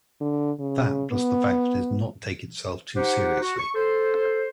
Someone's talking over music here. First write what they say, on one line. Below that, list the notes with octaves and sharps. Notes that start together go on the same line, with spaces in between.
That plus the fact that it does not take itself too seriously.
D3
C#3
B3
D#4 G4 C5 F#5
F#4
C#6
A4 C5